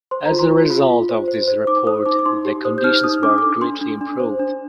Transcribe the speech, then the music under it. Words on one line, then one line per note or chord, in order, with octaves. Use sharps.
As a result of this report the conditions were greatly improved.
C5 C6
A#5
F4
C6
F4
F4
F4
C5
C5
C5
D#4 D6
C5 D#6
D#4 D6
D6
D#4 C6
G4
C5 D#6
G6
D#4 F6
F6
D#4 D#6
D4 D6
D#6
A4 D6
D4 C6
D4
D4
C5
D4